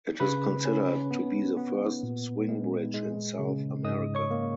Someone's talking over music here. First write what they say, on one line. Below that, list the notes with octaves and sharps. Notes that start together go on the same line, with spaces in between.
It is considered to be the first swing bridge in South America.
C#3 B4 B5
C#4
B3
B3
A#2
G#3
G#3
C#3
G#2 D#5 D#6
C#5 C#6
A#3